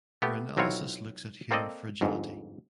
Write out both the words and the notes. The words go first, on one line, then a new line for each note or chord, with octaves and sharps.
Her analysis looks at human fragility.
A3 B3 G4
B1 F#3 C4 E4 F4 C#5
A#3 C4 A4 D5 D#5
G1 F2 G#2